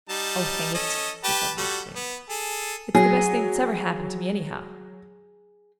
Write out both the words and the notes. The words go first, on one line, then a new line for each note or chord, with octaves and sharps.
"Oh, hang it," he suddenly exclaimed, "it's the best thing that's ever happened to me, anyhow!"
G3 D#4 A5
C#4 A4 D#5
G4 B4 A5
G3 F#4 A4
B3
G#4 A4
F#3 G#4